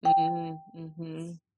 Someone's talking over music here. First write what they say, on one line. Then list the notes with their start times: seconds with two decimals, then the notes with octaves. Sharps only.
Mhm, mhm.
0.05 G5